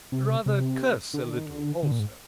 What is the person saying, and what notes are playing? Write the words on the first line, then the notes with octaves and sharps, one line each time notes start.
Rather curse a little also!
C3
C3
D3
D#3
D3
D#3
D3
D3
A#2
G#2